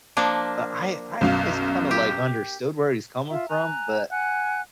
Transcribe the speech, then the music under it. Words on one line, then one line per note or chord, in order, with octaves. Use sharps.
but I I always kinda, like, understood where he's coming from. But,
F3 A#3 D4
B1 F#2 F5
G4
F4 E5
G#5 A#5 F#6
F#5 G#5 F#6